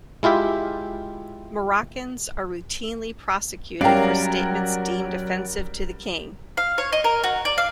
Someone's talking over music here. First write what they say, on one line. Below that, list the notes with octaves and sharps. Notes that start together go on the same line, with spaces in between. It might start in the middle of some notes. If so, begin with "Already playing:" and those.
Moroccans are routinely prosecuted for statements deemed offensive to the King.
G#3 E4 F4 G4 E5
F#3 G3 C#4 A#4 D5 F5 G5
F5
C#5
D#5
A#4
F#4
D5
F5